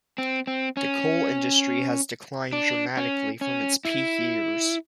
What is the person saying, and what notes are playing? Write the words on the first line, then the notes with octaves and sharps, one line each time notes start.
The coal industry has declined dramatically from its peak years.
C4
C4
C#4
D4
C#4
C#4
E4